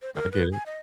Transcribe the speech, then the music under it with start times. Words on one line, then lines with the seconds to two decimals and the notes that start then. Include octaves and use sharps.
I get it.
0.02 C5
0.15 A#4
0.32 B4
0.52 G#5
0.66 D#5